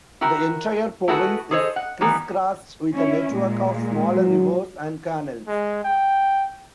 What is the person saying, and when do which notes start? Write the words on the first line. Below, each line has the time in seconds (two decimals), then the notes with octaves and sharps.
The entire province is criss-crossed with a network of smaller rivers and canals.
0.21 E4 F#4 A#4 G5
1.08 A3 E4 F#4 G#4 A4 B4
1.51 G#4 A4 C5 C#5 D#5
1.76 F#5
2.01 D#3 E3 G3 B3
2.93 C#4 E4
3.34 A#2 G#3
4.14 F#3
5.48 G#3
5.84 G5